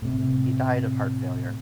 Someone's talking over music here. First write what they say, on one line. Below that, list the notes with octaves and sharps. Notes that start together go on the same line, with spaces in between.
He died of heart failure.
A2 C3